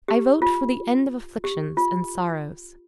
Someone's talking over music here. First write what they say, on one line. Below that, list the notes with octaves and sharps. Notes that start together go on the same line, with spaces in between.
I vote for the end of afflictions and sorrows.
G4
F4
G4
F4